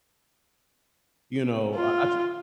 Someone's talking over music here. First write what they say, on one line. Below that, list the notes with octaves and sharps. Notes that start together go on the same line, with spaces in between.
you know, I I took
F4